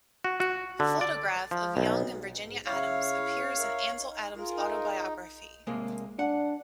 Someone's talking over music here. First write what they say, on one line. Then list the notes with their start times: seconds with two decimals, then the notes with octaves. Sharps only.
A photograph of Young and Virginia Adams appears in Ansel Adams's autobiography.
0.24 F#4
0.40 F#4
0.80 D3
1.01 D5
1.51 F3
1.77 B1
2.42 G#2
2.66 C#3 E4 C#5 F5
3.58 A#4 E5
3.96 D#4
4.35 F4 G#4 A#4
4.57 D#4
5.67 C3 G#3 A#3
6.19 D4 F#5